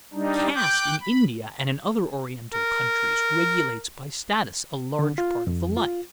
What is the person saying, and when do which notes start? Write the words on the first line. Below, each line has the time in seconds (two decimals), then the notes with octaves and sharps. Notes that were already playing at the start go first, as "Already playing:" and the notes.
Caste in India and in other Oriental countries regulates by status a large part of the life.
0.14 G3 D4 D#4
0.55 G5 D6 F#6 G6
1.00 B5
2.54 A#4
4.99 D3
5.18 F4
5.47 F2
5.77 F4